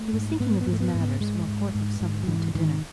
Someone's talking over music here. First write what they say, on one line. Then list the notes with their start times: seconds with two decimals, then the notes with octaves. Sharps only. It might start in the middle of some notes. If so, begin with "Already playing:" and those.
He was thinking of these matters when Porthos summoned him to dinner.
Already playing: A3
0.13 G#2
0.40 G#2 B3
0.61 B3
0.67 G#2
0.72 A3
0.80 B3
0.94 G#2
1.00 B3
1.20 G#2 G#3
1.48 G#2
1.75 G#2
2.01 G#2
2.23 F#3
2.27 G#2 E3
2.55 G#2 D#3